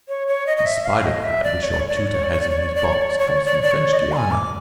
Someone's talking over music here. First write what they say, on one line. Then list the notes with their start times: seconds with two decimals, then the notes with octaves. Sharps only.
The spider crab which your tutor has in his box comes from French Guiana.
0.08 C#5
0.28 C#5
0.47 D#5
0.57 D#5
0.66 E5
0.86 F5
1.05 D#5
1.24 E5
1.43 D5
1.63 C#5
1.71 D5
1.80 C#5
1.88 D5
1.97 C#5
2.06 D5
2.14 C#5
2.23 D5
2.32 C#5
2.41 D5
2.50 C#5
2.58 D5
2.67 C#5
2.75 D5
2.84 C#5
2.93 D5
3.02 C#5
3.11 D5
3.19 C#5
3.28 D5
3.37 C#5
3.45 D5
3.55 C#5
3.62 D5
3.71 C#5
3.93 D#5
3.97 D5
4.12 C6
4.17 G#5
4.31 D6